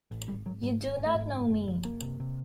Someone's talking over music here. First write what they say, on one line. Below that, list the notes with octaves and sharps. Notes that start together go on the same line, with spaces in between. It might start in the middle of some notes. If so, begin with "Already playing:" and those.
You do not know me?
A1
G#1 G3
G#1 F#3
G#2 G3
G#1
G#1
A3
G#2
F#1
F#1
F#1
F#1 A#3
C3
C3